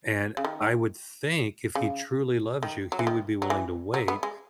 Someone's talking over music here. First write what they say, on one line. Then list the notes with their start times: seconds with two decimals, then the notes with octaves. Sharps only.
And I would think if he truly loves you, he would be willing to wait.
0.37 C#3
0.45 D#3
1.75 C#3
2.63 D#3
2.92 F#3
2.99 E3
3.07 D#3
3.42 F#3
3.50 E3
3.94 F#3
4.08 B3
4.23 G#3